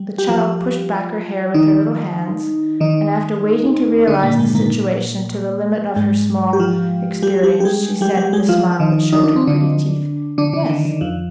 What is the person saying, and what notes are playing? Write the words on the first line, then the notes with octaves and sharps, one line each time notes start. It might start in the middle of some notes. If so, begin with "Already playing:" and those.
The child pushed back her hair with her little hands, and after waiting to realise the situation to the limit of her small experience, she said, with a smile that showed her pretty teeth, "Yes."
Already playing: G3
G4
F3 F4
D#3 D#4
D#3 D#4
D3 D4
A#2 A#3
G#2 G#3
A#2 A#3
G#2 G#3
G4
F3 F4
G3 G4
G3 G4
G4
G#3 G#4
G3 G4
G3 G4
G#3 G#4
F3 F4
F4
D#3 D#4
D#4
D4
C4
D3 D4
D3 D4
D3 D4
D3
D#3
D#3
F2 F3